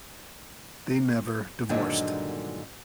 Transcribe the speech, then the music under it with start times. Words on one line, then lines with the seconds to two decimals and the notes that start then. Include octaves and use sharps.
They never divorced.
1.69 G2 A#2 D3 D#3 F#3 G#3